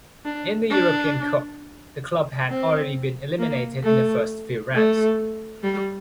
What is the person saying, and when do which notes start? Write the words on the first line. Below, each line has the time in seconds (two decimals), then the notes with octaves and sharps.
In the European Cup, the club had already been eliminated in the first few rounds.
0.25 D4
0.70 D4
2.50 C4
3.39 A#3
3.84 A3
4.74 A3
5.63 G3